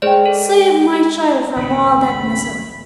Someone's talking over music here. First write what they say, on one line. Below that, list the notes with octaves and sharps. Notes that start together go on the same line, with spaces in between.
Save my child from all that misery!
G#3 G#4 C5 D5 G5
A4
G#1 C#2 G#2 C#3 B5